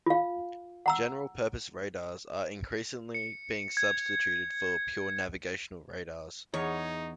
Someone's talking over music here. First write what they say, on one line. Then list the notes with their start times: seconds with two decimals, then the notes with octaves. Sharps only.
General purpose radars are increasingly being substituted for pure navigational radars.
0.06 F4 F5
0.86 F#5 A#5 E6
3.15 C#7
3.77 G#6
6.54 E2 D#4 C#5